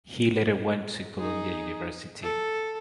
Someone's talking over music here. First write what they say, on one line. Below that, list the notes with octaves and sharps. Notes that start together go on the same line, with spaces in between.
He later went to Columbia University.
D#4 G#4
A4